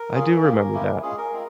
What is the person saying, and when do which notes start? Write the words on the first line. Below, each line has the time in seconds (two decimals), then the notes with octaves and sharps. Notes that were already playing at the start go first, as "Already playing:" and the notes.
I do remember that.
Already playing: A#4
0.14 C#4 F4 G#4
0.43 A#3 C#4 G4
0.73 A#3 C#4 E4 G4
1.02 G#3 C#4 F4 G#4
1.18 A#4
1.32 G#3 C4 F4